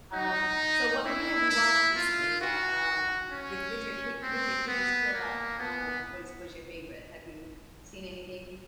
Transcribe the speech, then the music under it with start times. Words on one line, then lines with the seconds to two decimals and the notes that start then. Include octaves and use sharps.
um so, what movie have you watched recently that, um with with your kit with your kitties curled up, um, was was your favorite? Have you seen anything
0.14 D#4
1.05 E4
1.50 E4
1.96 F4
2.41 F#4
3.32 C#4
4.23 C4
4.68 B3
5.13 A#3
5.59 B3